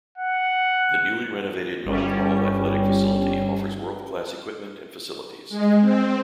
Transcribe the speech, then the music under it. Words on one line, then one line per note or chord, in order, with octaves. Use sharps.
The newly renovated Nold Hall athletic facility offers world-class equipment and facilities.
F#5
G1 G3 C#4
G#3
C4